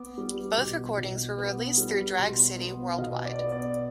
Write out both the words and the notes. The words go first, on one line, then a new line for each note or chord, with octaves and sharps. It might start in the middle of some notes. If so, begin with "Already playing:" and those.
Both recordings were released through Drag City, worldwide.
Already playing: B3 D6
G3
B2
B2
B3
G3
B2 C6
B3
F5
B2 D#5
D5
B3
D5